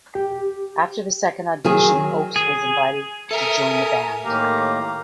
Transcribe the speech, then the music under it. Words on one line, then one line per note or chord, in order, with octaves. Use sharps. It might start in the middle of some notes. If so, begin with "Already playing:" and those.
After the second audition Oakes was invited to join the band.
G4
D#3 F#3 G#4
G#4
A4 A#4 E5 G#5 D#6
A2 D#3 A#3 G4 F5 A#5